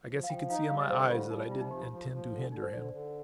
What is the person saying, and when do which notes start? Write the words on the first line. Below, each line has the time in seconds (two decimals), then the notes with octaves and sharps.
I guess he could see in my eyes that I didn't intend to hinder him.
0.09 F3
0.24 F5
0.29 F3 G5
0.50 D#4 F5
0.70 G3 F5
0.80 D#5
0.90 D3 C5
1.00 G4
1.10 G3 F4
1.30 G3 D#4
1.50 C3 F4
1.61 D#4
1.71 F3 G4
1.81 F4
1.92 F3
2.12 F3
2.32 D3
2.42 D4
2.52 D3 D#4
2.62 C5
2.73 D3 D5
2.93 D3